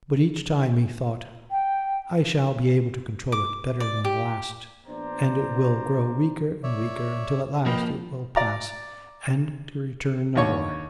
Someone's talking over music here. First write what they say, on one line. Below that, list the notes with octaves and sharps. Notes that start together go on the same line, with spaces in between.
But each time he thought, 'I shall be able to control it better than the last, and it will grow weaker and weaker until at last it will pass and to return no more.'
G5
D6
D5
G4
A#1 B3 D4 C5 D5 A#5
C#5 D5 E5
F3 A#3 B4 D#5 G5
D5 A#5
D#2 D3 C#5 C#6